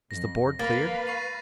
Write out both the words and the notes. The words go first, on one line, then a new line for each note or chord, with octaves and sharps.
"Is the board cleared?"
F2 A#6
A#3 B4 F5 A6
C#6 C7 D#7